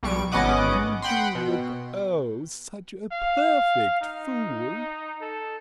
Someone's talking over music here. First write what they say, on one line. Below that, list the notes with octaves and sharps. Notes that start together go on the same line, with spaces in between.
"You do look, oh, such a perfect Fool!"
B1 G3 C#6 D7
G#1 B3 C#4 D#5 F#5 D6
F#5 G5 B5 C6
B2
F5
D#4
A4